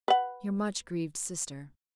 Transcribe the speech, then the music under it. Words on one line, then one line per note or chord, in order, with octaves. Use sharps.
'Your much grieved sister.'
B4 F#5